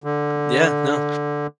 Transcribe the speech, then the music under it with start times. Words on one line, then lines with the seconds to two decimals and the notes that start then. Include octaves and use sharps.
Yeah. No.
0.04 D3